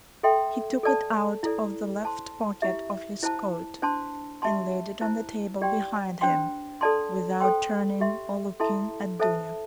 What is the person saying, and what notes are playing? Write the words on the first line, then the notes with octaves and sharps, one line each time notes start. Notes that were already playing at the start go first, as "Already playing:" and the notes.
He took it out of the left pocket of his coat and laid it on the table behind him, without turning or looking at Dounia.
A4 E5 G5 C6
A4 D5 A5
E4 A4 D5
C5 A5 C6
E4 G4 E5
E4 C5 A5
D4 C5 A5 C6
G4 E5 A5 C6
E4 C5 A5
G4 D5 G5 C6
D4 C5 G5 C6
A4 D5 A5 C6
A4 C5 G5 C6
G4 E5 C6
E4 A4 E5 A5 C6
A4 C5 E5 A5